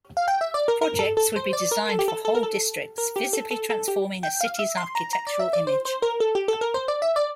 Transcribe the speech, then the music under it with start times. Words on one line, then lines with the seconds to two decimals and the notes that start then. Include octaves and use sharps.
Projects would be designed for whole districts, visibly transforming a city's architectural image.
0.17 F5
0.28 G5
0.41 E5
0.54 D5
0.68 A#4
0.81 A#4
0.99 A4
1.17 A4
1.36 C5
1.53 D5
1.71 A#4
1.89 A4
1.99 G4
2.08 A4
2.25 A4
2.35 A#4
2.43 A4
2.98 A#4
3.16 G4
3.33 A4
3.51 A4
3.70 A4
3.88 G4
4.23 G5
4.41 F5
4.59 E5
4.77 C6
4.95 A#5
5.13 A#5
5.27 D5
5.39 E5
5.53 D5
5.67 C5
5.85 C5
6.02 A#4
6.20 A4
6.35 G4
6.48 A4
6.61 A#4
6.74 C5
6.88 D5
7.02 E5
7.16 D5